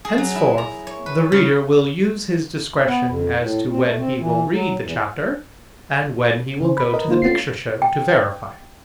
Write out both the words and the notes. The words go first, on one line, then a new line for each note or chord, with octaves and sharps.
Henceforth the reader will use his discretion as to when he will read the chapter and when he will go to the picture show to verify it.
G#4
F#3
E4
A#5
C#5
B4
C#3
B3
F2
A2
C4
A3
C4
E3
F#3
E2
C#3 C5
B5
A#4 B4 D#5
D3 A#3 D#4 F4 C5
A3 C#4 F4 C7
G5